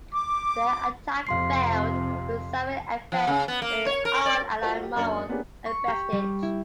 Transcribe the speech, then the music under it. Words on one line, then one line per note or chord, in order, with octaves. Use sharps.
The attack failed, with severe effects on Allied morale and prestige.
D6
F2 C3 F5 C6 C7
F3
C#3
B3
A#3
C#5
A#4
D5
F4 F#4 A4 A#4 C5 D#5
G4
F#2 A#3 D4 A6 C#7 F#7
A#3 B3 C#4 D4 G4 G#4
C#6
G4
G3
E4